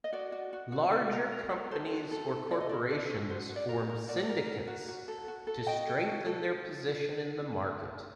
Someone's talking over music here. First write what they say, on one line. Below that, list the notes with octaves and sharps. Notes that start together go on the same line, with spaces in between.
Larger companies or corporations form syndicates to strengthen their position in the market.
D#5
F#4 D5
F#4
F#4
F#4
F#4
A#4
A#4
F#4
A4 C5
F#4
A4
A4
A4 D5
D#5
F#4 D5
A4 D5
F#4
F#4 C5
F#4
D5
A#4
A#4
F#4 D5
A#4
A#4
F#4
F#4
A4
F#4
A4
F#4 D#5 G5
A4
F#4
A4